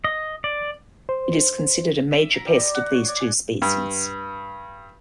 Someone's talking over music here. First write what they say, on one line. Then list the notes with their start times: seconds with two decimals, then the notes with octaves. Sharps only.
It is considered a major pest of these two species.
0.04 D#5
0.44 D5
1.09 C5
2.11 E5
2.34 A#5
2.46 G3
2.60 D5
2.74 F#5
2.92 C#5
3.08 D5
3.20 G#5
3.62 G2